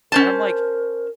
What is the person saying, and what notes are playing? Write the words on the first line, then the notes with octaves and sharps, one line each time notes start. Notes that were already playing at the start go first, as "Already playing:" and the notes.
and I'm like,
C#4 A#4 C5 A5